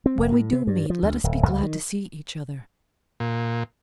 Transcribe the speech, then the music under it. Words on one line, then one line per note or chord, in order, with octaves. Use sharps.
When we do meet let us be glad to see each other.
C4
F1
A2
C3
G2
F3
D2
D1
C#2
D#3
A#2